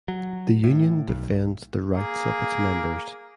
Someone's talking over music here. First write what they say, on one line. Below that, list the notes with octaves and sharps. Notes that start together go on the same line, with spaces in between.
The union defends the rights of its members.
F#3
A2
B1
A#3 G#4